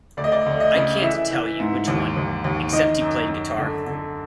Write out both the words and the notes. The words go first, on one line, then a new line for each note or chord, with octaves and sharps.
I can't tell you which one... except he played guitar.
D2 D5
D#5
D5
D2
D#5
C#3
E3 E5
E3
G#2
D#2
D#2
D#2
D#3 D#5
F#2
F#2
D3
D3